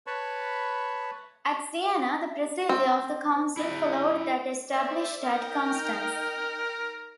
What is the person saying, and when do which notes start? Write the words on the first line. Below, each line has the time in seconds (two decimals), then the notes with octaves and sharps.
At Siena, the procedure of the Council followed that established at Constance.
0.07 B4 C#5 A5 B5 C#6
2.69 C4
3.57 E4 D5 E5
4.71 C5 D5 E5
5.24 D#4 A#4 G5